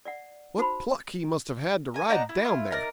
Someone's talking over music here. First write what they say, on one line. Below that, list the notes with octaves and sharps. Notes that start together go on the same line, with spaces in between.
What pluck he must have had to ride down there!'
D5 E5 F#5
D#4 F#4 C5 B5
A#4 G#5
D4 D#4 F#5 A#5
E4
E4 F4
D#4 A#4 D5